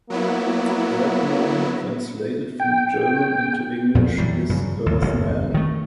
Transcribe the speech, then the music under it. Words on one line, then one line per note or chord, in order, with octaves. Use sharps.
Erdmann translated from German into English is "earth man".
F#3 A#3 B3 E4
G5
F2 A#2
E3 F#3 G3
G2 C#3 F#3
D#2
F#1 B1 E2
D#3 A3